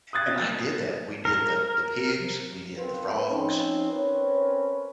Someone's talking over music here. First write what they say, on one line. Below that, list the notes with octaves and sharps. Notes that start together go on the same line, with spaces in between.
and I did that. We did the the pigs, we did the frogs
D#6 F#6 G#6 A6
A#4
B3 C4 D#4 F4 A#4 B4
F3 C4 C#4 D#4
C4 C#4 A#4 B4 C#5